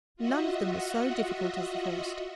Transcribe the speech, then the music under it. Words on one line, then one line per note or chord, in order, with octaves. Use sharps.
None of them was so difficult as the first.
F4 F#4 D#5 E5 F#5